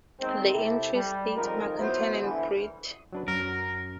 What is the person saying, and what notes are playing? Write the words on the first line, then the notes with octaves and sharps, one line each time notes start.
The entry states Makaton, n. Brit.
D#2 D#3 G#3 C4
C3 E4 G4 A4
G3
F2 G#2 D#3 D#4 F4 A#4
F#3 B3 E4 C5
D3 E3
F#3 D4 B4
F#2 F#3 A#4